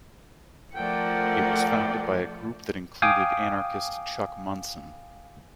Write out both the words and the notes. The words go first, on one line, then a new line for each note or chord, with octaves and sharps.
It was founded by a group that included anarchist Chuck Munson.
F3 A3 A#4 D5 F#5 G5
F5 G5 G#5 D6 D#6